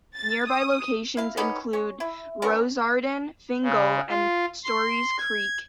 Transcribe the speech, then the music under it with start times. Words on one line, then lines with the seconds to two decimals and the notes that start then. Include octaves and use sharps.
Nearby locations include Rossarden, Fingal and Storys Creek.
0.15 A6
0.48 D#6
1.17 E4 F5
1.37 A#3 B3 C#4 D#4
1.73 C#4 C#6
2.00 E4
2.42 B3 C#4 D4 A#4
3.63 C#3
4.09 F4
4.64 C6
5.18 G#6